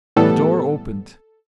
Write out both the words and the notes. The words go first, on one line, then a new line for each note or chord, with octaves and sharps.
The door opened.
A2 E3 G3 B3 A4